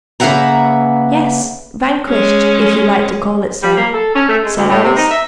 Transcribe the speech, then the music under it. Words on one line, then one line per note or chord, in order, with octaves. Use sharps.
"Yes, vanquished; if you like to call it so," said Alice.
C#3 A#3 B4 E5 F#5 A#5
G#3 C#4
G3
A#3
A4
C#4
A3
G#3
D2
A2
C3
D#4
E5